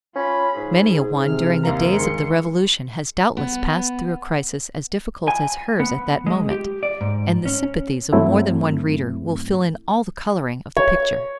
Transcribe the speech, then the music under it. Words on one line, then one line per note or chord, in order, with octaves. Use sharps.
Many a one during the days of the Revolution has doubtless passed through a crisis as difficult as hers at that moment, and the sympathies of more than one reader will fill in all the coloring of the picture.
C#4 F4 B5
G#2 G#4
C3 F6
D#2 A#3 F5 A#5
D#3 G#3 C6 C#7
B3
G#5
B3
G#3
G4
D5
G#2
C#4
G2 F#3 A3 C4 E4
C#5